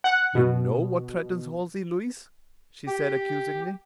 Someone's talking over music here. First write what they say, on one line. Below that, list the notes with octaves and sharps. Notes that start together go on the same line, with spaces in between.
"You KNOW what threatens Halsey, Louise," she said accusingly.
F#5
B2
G4